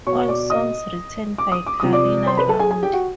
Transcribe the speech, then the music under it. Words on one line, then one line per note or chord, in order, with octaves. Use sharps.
All songs written by Carina Round.
B2 C#5 C#6
D5 D6
D#5 D#6
D6
D#6
D6
C3 F3 D#6
D5 D6
C5 C6
B4 B5
A4 A5
G#4 G#5
G#4 G#5
G4 G5
F#4 F#5